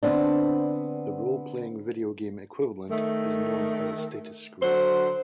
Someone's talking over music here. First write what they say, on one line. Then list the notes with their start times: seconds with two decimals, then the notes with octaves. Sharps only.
The role-playing video game equivalent is known as a status screen.
0.03 D3 B3 C4 D4
2.89 D#3 A3
4.62 D3 F#3 C5